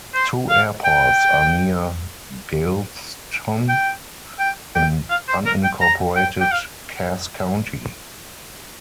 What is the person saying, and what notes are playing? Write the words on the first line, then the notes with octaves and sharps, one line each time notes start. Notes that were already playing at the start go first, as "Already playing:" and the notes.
Two airports are near Galveston in unincorporated Cass County.
C5
F5
G5
G5
G5
G5
F5
C5
A#4
G5
A#5
G5
G5
F5